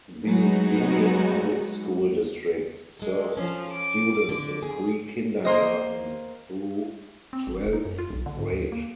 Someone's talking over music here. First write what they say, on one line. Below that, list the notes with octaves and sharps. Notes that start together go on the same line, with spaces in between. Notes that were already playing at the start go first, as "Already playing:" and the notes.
The Union Public School District serves students in pre-kindergarten through twelfth grade.
F#3 G#3 A3 B3 D#4 F#4
G#3 A4
F3 C#4
D6
D3
G#4
A#3 C5 D#5
C4
G#1
E1
D#4
F#2
F4
B1
D3
G#2
D#2
A#3